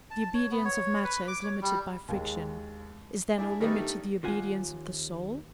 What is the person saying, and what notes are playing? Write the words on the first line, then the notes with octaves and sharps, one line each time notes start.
The obedience of matter is limited by friction; is there no limit to the obedience of the soul?
A5
C#5
B3
C#5
B4
D6
C#5
G3
D#2 G#3
D4 E4 G#4
D#3 G3 A3 B3 D4 D#4
D#2 F4 F#5 G#5